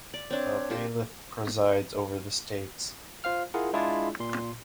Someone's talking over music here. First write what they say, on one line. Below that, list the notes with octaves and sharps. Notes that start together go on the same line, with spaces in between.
The Bailiff presides over the States.
D5
C4 D4 C#5
F4 G4 C5
F4 C5 F5 F6
E4 F4 G#4 A#4 F#5
G#3 D4 E4 F4 G#4 D5
A#2 C6